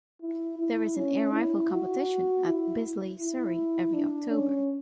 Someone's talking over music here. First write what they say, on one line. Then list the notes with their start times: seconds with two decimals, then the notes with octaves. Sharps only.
There is an air rifle competition at Bisley, Surrey every October.
0.21 E4
0.59 E4
0.96 C#4
1.33 E4
1.71 F#4
2.44 E4
3.19 E4
3.94 D4
4.31 C#4